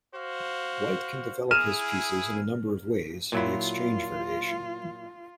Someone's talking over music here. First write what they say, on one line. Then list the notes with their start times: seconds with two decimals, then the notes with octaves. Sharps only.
White can develop his pieces in a number of ways in the Exchange Variation.
0.14 F#4 C5 F5
1.51 E4 G#4 F6 D#7 E7
3.32 A#2 F#3 E4 F4